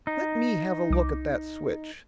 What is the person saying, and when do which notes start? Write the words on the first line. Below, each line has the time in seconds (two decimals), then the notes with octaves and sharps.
"Let me have a look at that switch."
0.07 D#4
0.90 C2 D6